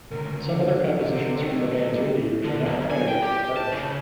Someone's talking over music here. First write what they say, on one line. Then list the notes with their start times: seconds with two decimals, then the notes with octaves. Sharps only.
Some other compositions from the band's early years are not credited to the partnership.
0.11 D2 C#3 A#4
0.45 D3
1.00 C3
1.41 D#3 F#3 A3
1.92 G3
2.45 D3
2.66 B1
2.91 G#5
3.08 G5
3.23 G4
3.57 A5
3.71 C#3